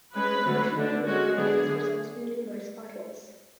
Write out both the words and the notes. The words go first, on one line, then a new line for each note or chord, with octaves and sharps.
Erosion on the riverbed has resulted in numerous potholes.
G#3 C#4 B4
D3 F#3 A3
D3 A3 D4
G#3 C#4 F#4
D3 F#3 B3 D4 G#4
D3 A3